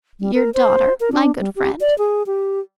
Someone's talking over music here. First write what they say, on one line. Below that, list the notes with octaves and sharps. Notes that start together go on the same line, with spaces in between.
"Your daughter, my good friend?"
G3
A#4
C5
A#4
D4
G3
G4
D5
G#4
G4